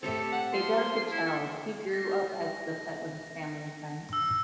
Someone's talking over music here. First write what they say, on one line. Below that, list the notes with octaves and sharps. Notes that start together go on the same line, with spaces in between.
A delicate child, he grew up as the pet of his family and friends.
A3 C4 G4 A4 C#5
F#5
F3 C6
E4
E4 A4
A#6
E6